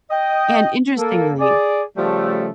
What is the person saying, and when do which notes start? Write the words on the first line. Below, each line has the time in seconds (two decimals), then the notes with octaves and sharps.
and, interestingly
0.11 D#5 G5
0.98 A#3 A4
1.40 G#4 D5
1.98 C#3 F3 G3 A3